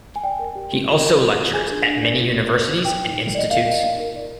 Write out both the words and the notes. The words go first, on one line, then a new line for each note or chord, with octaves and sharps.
He also lectures at many universities and institutes.
G#5
D5 G5
A#4
G4
G4
F4
A#4
F4
F4
G#4 G#5
D4
D4
D5
F4
F4
C5
C5
D#4 G5
D#4
D#4
D5 D#5
A#4 F5
A#4
D#4
A#4
D5